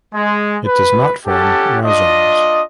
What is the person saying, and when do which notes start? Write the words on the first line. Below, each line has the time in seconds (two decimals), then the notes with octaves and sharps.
It does not form rhizomes.
0.13 G#3
0.65 B4
1.26 C#4 G4 A4 F#5 A5
1.83 D4 F4 D#5